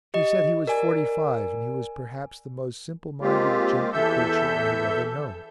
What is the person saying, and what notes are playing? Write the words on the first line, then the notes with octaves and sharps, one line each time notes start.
He said he was forty-five and he was perhaps the most simple-minded, gentle creature I have ever known.
G4 D#5
A#4 D5 G#5
G#3 A#3 C4 F4 G4
E2 E3 A4 E5 E6 G6